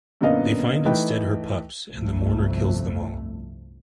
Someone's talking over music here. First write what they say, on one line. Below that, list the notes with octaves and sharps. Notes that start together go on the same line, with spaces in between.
They find instead her pups, and the mourner kills them all.
F#2 A#2 D3 B3 D#5 F5
E3 A3 D#4 B4 G5
G1 C2 F2 A3